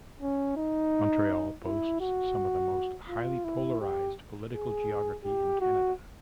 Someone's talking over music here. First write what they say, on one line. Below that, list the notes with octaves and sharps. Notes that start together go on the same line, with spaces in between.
Montreal boasts some of the most highly polarized political geography in Canada.
C#4
D#4
E4
F#4
F4
E4
G4
G#4
G4
F#4